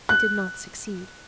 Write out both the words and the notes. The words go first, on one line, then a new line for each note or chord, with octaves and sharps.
He did not succeed.
F#6